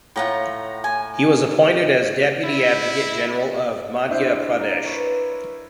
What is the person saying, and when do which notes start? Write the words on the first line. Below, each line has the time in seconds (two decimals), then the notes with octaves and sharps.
He was appointed as Deputy Advocate General of Madhya Pradesh.
0.16 A2 F4 F#5 G5 A#5
0.84 G#5
2.45 E4
4.09 D4 E4 C5
4.60 A#4
4.85 A#4 B4 C#5